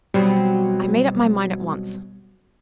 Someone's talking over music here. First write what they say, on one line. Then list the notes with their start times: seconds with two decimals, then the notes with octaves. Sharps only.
I made up my mind at once.
0.14 B2 F#3 G3 C4